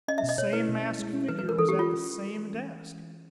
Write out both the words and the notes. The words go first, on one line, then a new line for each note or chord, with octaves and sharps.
The same masked figure was at the same desk.
C#4 D#5
E5
B2
D#5
B2 C#5
E4 B4
B2
C#4
G#3
C#4
E3 B4
B4
G#3
A#4
E3 A4
G4
G#3
F4